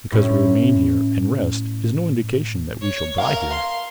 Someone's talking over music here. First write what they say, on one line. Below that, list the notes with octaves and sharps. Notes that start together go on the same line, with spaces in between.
Because we remain here and rest is no indication that we shall die here.
A2 C#4
C#5
A#4 F5
C6